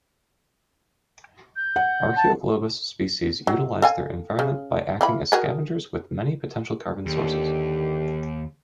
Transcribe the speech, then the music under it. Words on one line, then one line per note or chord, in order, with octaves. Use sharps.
"Archaeoglobus" species utilize their environment by acting as scavengers with many potential carbon sources.
G6
F#5
A5
F#3
A4 F5 G#5
C#3
E3 F4 B5
F#4 G#4 A#4
D#2 D3 D#3 G4